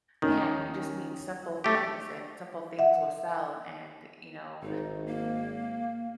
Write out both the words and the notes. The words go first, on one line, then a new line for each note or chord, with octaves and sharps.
"Man, you just need simple things, and simple things will sell," and, you know,
D#2 D#3 C#4
A3 G4
E5 F#5
G#1 D#4
A#3